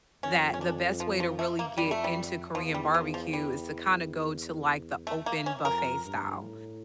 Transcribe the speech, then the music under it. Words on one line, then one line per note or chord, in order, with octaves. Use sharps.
that the best way to really get into Korean barbecue is to kinda go to, like, the open buffet style,
F2 C#4
C#4
D4
F3
F3
A3
A#3
F2 G3
A3
G3
E2 F3
G3
F3
F3
G3
A3
A#3
C#4
F2 A#4
G2
A2